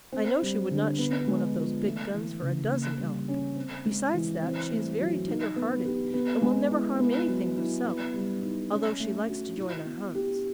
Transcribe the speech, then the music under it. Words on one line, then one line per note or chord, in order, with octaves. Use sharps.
I know she would not shoot one of those big guns for a dozen elk; besides that, she is very tender-hearted and will never harm anything herself, although she likes to join our hunts.
C4
G3
D3
B3
G#3
F3
A3
E3
C#3
A#3
G3
C#4
C4
G#3
E3
C4
A3
F#3
D#4
B3
G4
B3
G#3
E4
B3
F#3
E4
B3
G3
D#4
C#4
A3
F#4
E4
B3
G4